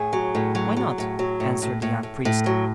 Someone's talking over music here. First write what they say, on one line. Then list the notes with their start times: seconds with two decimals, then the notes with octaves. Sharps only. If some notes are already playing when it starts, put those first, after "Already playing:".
"Why not?" answered the young priest.
Already playing: A2 G#4
0.13 F#3
0.35 A2
0.55 F#3
0.76 F#3
0.98 A2
1.19 F#3
1.40 A2
1.62 A2
1.82 A2
2.03 A2
2.25 A2
2.46 F#3